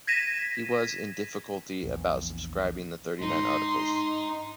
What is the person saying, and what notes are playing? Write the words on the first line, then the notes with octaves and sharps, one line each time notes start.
He was in difficulty about subscribing the Thirty-Nine Articles.
G#6 A#6 B6 D#7 E7
A#1 E2
G#2 D#4 C6